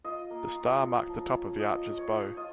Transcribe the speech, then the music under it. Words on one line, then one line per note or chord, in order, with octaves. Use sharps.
The star marks the top of the Archer's bow.
F4 D#5
A#3
F4
C#4
F3
C#4
F4 D#5
C#4
C#5
F4
F4 D#5